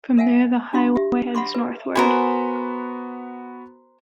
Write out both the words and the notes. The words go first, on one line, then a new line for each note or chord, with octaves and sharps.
From there the highway heads northward.
A#4 E5 F#5 G#5
D4 F4 F#4 F5 C6
G4 E5
F#5 B5 C6 D6
B4
B3 F#4 A#4 C5 G#5 B5